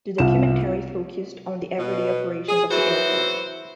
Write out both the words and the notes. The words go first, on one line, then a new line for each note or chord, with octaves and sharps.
The documentary focused on the everyday operations of the airport.
C2 F4 E7
B2
G#4
E3 F#3 E4 F#4 C5